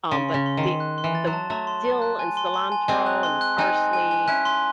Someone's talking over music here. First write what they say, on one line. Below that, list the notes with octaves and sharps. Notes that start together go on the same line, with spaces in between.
um, but the the dill and cilantro and parsley,
C#3 C6
C6
C#3
C6
D#3
C6
F#6
C6
E3
A6
F#3
A5
F#3 A3 A5
C6
A5
F#6
G#5
C6
C6
G#5
G#3 C4 G#5
F#6
C6
F#6
C4 D#4 G#5
G#5
G#5
G#5
C#4 E4 F#6
C6